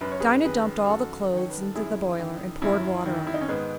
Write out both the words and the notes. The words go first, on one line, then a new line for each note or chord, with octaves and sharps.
Dinah dumped all the clothes into the boiler and poured water on them.
F#2 B4
C#5
G#4 B4
D#3 G#4 B4
G#4
F#2 F#4 A4
D#3 C#5
B4
A4
F#2 E4 G#4
D#3
F#2 C#4 E4
D#3
E4
D#4
C#4
G#2 G#3 B3